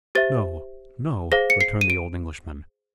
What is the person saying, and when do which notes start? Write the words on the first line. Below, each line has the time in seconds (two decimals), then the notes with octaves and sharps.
"No--no," returned the old Englishman.
0.15 G4 C5 E5 A6
1.32 G#4 C5 F5 A#6
1.50 C#7
1.61 C7
1.81 D#7
1.90 D7